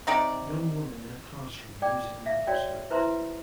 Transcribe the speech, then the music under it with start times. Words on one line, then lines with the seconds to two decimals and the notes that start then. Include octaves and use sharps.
Young women in a classroom using a microscope.
0.07 C3 D#4 G4 D5
1.82 D5 G5 D6
2.26 E5 F5
2.47 F#4 C#5 D5 G5
2.90 E4 B4 C5 E5 A#5 C6